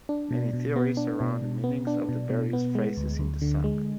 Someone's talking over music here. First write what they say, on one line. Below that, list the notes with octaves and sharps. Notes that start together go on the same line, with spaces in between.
Many theories surround the meanings of the various phrases in the song.
D4
B2
B2
B3
D4
B2
B2
B3
D4
B2
B2
B3
G#3
D2
D2
D3
G#3